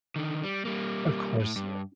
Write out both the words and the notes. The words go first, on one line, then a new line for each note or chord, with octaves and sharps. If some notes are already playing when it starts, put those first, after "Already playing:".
Of course, yea
D3 D#3
G3
G3 A#3
A2
G2